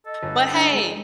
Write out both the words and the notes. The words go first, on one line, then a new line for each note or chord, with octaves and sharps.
But hey,
A4 D#5
G1
D4
G#3